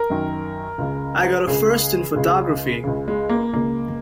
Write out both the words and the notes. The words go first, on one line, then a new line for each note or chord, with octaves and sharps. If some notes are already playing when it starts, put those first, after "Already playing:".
I got a first in photography!
Already playing: A#4
F#2 D#3
C#2 C#3
C#2 C#3 G#4
C#2 C#3
C#2 C#3
G#3
A#3
C#2 C#3 A#3